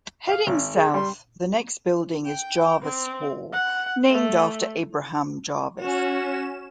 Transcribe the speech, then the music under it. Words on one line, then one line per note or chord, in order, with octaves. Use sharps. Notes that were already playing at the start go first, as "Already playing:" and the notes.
Heading south, the next building is Jarvis Hall, named after Abraham Jarvis.
F5 F6
G#1
G#4
G3 C6
G5
C4
F#5
A3
C#4 F#4 E7